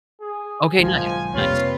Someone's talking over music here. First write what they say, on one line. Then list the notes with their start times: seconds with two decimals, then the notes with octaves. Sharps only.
Okay, nice, nice.
0.21 G#4
0.79 B1 G#2 D#3 F3 G#5
1.35 F2 C3 G3 A#3 F4 B4 C#5